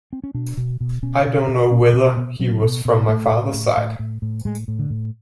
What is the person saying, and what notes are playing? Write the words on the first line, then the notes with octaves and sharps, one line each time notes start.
I don't know whether he was from my father's side.
C4
C#4
B2 D4
B2
B2
B2 C#4
B2
B2
B2 C#4
B2 C4
B2 B3
B2 F#3
B2
B2
A2 A3
A2
A2
A2
A2
A2
A2 G#3
A2
D3
A2